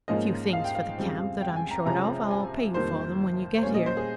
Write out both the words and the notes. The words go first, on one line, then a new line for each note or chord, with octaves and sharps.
A few things for the camp that I'm short of; I'll pay you for them when you get here.
G#2 F3 A#3 C#4 D#5
F5
G5
F5
F2 C#3 G3 C4
G5
G#5
A#5
C3 F3 G#3 C#4 A#5
G#5
F2 D#3 G3 A#3 C5
C5
A#2 G3 A#3 C#4 C#5
D#5
C5
G#4